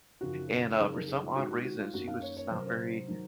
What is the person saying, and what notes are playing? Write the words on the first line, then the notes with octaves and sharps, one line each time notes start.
and, uh, for some odd reason, she was just not very
F#2 C#3 F3 C4 D#4 F#4
F#2 C#3 F#3 C4 D#4 G#4
G#4
A#4
G#4
F4
D#3 G#3 C4 D#4 F#4
F#4
F#4
F4
F#2 D#3 A#3 C#4 F#4
F5
C#5
C#5
C3 F#3 C#4 C5
A#4
C5
D#3 F#3